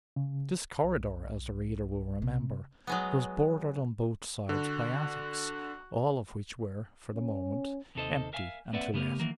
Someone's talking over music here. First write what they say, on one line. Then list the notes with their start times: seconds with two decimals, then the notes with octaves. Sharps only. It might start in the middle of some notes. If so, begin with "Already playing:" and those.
This corridor, as the reader will remember, was bordered on both sides by attics, all of which were, for the moment, empty and to let.
0.16 C#3
0.84 B1
2.22 C3
2.87 F#3 G#3 B3
4.49 D3 F#4
7.15 C#4
7.95 D#2 C3 D#3 A4 C5 D#5
8.33 A#4 E5 F5 G#5
8.73 A#3 C4 B4 D5 E5 F#5
8.94 C#3 A3 B3 G4 A#4
9.20 D#3 E3 F#3 A#3